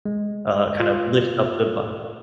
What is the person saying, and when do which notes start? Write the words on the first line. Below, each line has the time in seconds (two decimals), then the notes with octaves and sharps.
uh, kind of, lift up the vibe.
0.05 G#3
0.80 F4